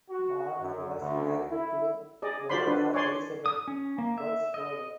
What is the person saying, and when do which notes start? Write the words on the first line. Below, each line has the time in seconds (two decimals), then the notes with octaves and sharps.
Warner was married to Rhoda Elizabeth Botsford.
0.10 F#4
0.62 F#2
1.00 D2
1.51 E4
2.22 G#4 D5 D#5
2.49 F4 F#4 C5 D5 B5 C6
2.67 D4 B4
2.94 C#5 D5 G#5 C6
3.46 D#6
3.68 C#4
3.98 A#3
4.18 E5
4.54 D#5